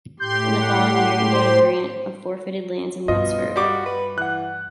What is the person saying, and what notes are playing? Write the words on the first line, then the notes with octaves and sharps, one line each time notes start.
In the following year he had a grant of forfeited lands in Wexford.
A2 G4 C6 G6
F#5
C5
G2 B2 F4 D#5
G3 F#4 D6
B4
E3 F#5 F#6